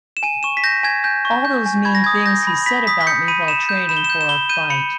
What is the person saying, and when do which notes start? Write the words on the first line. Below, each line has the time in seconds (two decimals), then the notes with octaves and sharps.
All those mean things he said about me while training for our fight.
0.17 E7
0.23 G#5 D#7
0.43 C#6 E7
0.57 B6
0.64 G6 A#6
0.83 G#5 G#6
1.04 G#5 G6
1.25 C#6
1.45 G6
1.66 G#5
1.85 B5 G#6
1.95 A#6
2.04 D#6 G#6
2.26 G6 A#6
2.47 B5
2.66 B5 B6
2.87 D#6 B6
3.01 B6
3.07 G6 C#7
3.28 B5 D#7
3.48 B5 E7
3.69 G6
3.89 B5 E7
3.97 G7
4.04 E7
4.10 G6
4.21 E7
4.29 B5 G7
4.49 G6 D#7
4.70 B5 C#7